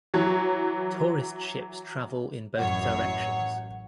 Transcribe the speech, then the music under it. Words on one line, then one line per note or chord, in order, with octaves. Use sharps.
Tourist ships travel in both directions.
E3 F#3 C#5
A1 F#2 C#5 F#5